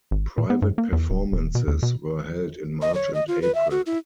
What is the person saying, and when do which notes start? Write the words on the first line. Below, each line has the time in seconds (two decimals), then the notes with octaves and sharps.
Private performances were held in March and April.
0.11 G#1
0.38 A#2
0.50 B3
0.62 G2
0.78 A#3
0.92 E2
1.10 D1
1.32 D#1
1.55 B2
1.68 D#2
1.83 B2
2.82 D#5
2.94 C#5
3.14 D#5
3.28 F4
3.42 B4
3.54 E5
3.71 F#4
3.86 E4